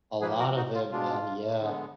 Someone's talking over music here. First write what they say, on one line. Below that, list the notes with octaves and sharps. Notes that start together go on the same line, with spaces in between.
A lot of it, man, yeah.
A#2 F3 A#3 G#4 B4
F#4 A#4
D#4 F#4
F4
B2 G#3 D4 F4
D3 G#3 B3